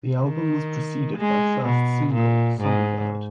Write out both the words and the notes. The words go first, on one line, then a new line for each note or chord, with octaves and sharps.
The album was preceded by first single "Songbird".
D#3
G#3
B2
A#2
G#2